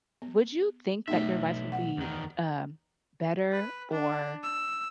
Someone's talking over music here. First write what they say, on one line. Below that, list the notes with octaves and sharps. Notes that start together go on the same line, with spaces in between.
would you think that your life would be, um, better or
B3
B1 A3 B3 D#4 E5
F#5
E2 D#3
B4
D4
E6